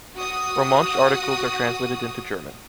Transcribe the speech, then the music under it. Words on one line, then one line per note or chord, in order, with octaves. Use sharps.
Romansh articles are translated into German.
F#4 D#6